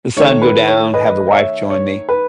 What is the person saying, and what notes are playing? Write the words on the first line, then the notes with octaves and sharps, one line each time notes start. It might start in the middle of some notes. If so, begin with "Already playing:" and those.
the sun go down, have the wife join me,
D#3 A3 C#5
B4
C#5
B4 D#5
C#5 E5
C#5
B4